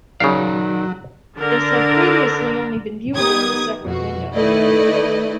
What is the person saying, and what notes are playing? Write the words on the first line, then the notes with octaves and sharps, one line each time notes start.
This had previously only been viewable in a separate window.
C#3 F#3 D#4 A#4 D5 F5
D3 D4 A#4
D#3 B3 G4 A#4 D#6 G#6
F2 B2 F#4
D#3 A3 E4 B4 D5 D#5